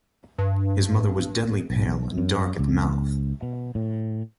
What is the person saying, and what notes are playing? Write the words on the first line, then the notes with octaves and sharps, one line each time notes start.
His mother was deadly pale and dark at the mouth.
G2
B1
F#2
C#2
B2
A2